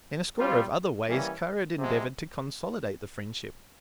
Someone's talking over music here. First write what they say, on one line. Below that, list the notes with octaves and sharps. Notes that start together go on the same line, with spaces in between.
In a score of other ways Kara had endeavoured to consolidate the friendship.
G3 C4 F4
E3 G3 A#3 C#4
C3 F3 G#3